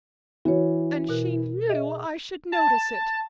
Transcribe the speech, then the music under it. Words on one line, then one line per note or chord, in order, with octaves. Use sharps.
And she knew I should notice it.
E3 F#4 C#5
B2 A#4 F#6
G#4 D#5 E5
A5